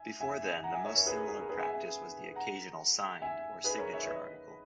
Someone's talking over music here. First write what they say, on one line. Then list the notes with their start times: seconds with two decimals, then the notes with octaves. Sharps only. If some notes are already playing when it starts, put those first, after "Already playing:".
Before then, the most similar practice was the occasional "signed" or "signature" article.
Already playing: E5 G#5
0.20 E5 G#5
0.63 F#5 A#5
0.74 E5 G#5
0.85 C#5 E5
0.96 A#4 C#5
1.07 G#4 B4
1.17 A#4
1.28 G#4
1.39 A#4
1.49 G#4 B4
1.60 E5 G#5
1.71 E5 G#5
2.35 F#5 A#5
3.22 E5 G#5
3.64 G#4 B4
3.78 A#4 C#5
3.93 C#5 E5
4.03 C#5
4.07 B4 D#5